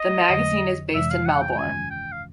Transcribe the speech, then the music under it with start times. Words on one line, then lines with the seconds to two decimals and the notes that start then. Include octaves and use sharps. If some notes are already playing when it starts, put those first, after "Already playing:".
The magazine is based in Melbourne.
Already playing: D#5
0.29 F2 D3 F#3
0.94 F2 C3 E3 G#3 E5
1.10 F5
1.26 F#5
1.42 G5
1.52 G5
1.58 G2 D#3 G#3 C#4 F4 G#5
1.90 G5
2.12 F5